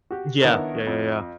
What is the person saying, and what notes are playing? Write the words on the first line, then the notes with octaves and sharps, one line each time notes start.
Yeah. Yeah, yeah, yeah.
F#4 G4
D#3 B3 D4 E4 A#4 C#5
F2